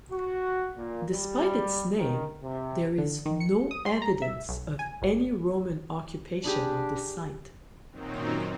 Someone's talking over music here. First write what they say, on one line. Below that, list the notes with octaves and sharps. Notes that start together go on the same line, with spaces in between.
Despite its name there is no evidence of any Roman occupation on this site.
F#4
A#2
G3
D#3
C3
D3
D#3
C#7
D#6
C6
A#5
E5
B1
G#5
G1
D4 G4 G#4 B5
F#2 A#2 D#3 F#3 C4 D#4